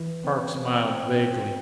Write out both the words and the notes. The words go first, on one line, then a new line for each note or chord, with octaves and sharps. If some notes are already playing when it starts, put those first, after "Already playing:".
Park smiled vaguely.
Already playing: E3
C4
C4
C4
C4